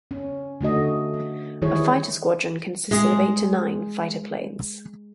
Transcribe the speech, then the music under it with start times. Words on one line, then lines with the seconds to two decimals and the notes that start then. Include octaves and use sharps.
A fighter squadron consisted of eight to nine fighter planes.
0.11 C#4
0.61 D3 A3 F#4 D#5
1.62 D#3 E3 G3 E4 G#4 C#5
2.91 G#3 G#4